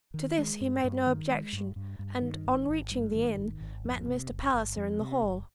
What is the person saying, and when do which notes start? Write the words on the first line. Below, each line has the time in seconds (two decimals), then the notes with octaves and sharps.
To this he made no objection, and, on reaching the inn, met Mr. Palliser in the hall.
0.14 D#3
0.38 G#3
0.61 G2
0.84 G2
1.06 D#3
1.30 G#3
1.53 G2
1.76 G2
1.99 G2
2.22 D#3
2.45 G#1
2.69 G#1
2.91 G2
3.15 D#3
3.37 G#1
3.61 G#1
3.84 F2
4.07 C3
4.30 G1
4.54 G1
4.76 F2
5.00 C3
5.22 G1